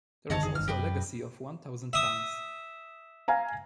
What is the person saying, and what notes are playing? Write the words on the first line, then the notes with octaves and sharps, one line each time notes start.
There was also a legacy of one thousand pounds.
F#1 D3 D#3 A4 C#5 D#5
G#4
G1 D#3 F6
F#2 G4 B4 D#5
E5 D#6
F5 G#5 A#5